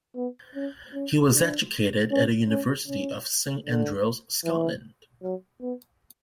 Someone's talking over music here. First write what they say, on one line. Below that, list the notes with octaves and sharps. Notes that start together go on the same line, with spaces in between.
He was educated at the University of Saint Andrews, Scotland.
B3
C#4
C#4
D4
C#4
C#4
C#4
D3
E3
F#3
B3